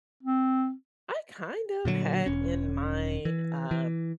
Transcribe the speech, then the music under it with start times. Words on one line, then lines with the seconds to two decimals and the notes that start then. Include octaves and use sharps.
I kind of had in mind, uh,
0.23 C4
1.85 A#2 D3 E3 F#3
2.26 E1 C#4
3.25 E3
3.71 E3